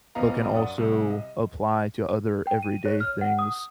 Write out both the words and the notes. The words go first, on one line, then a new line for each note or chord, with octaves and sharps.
but can also apply to other everyday things
A#1 F3 B3 D#5 F5 A#5
F#2 D5 F#5 D#6
C2
D#5
G5
D#7
C#5
F6
F#5
D#6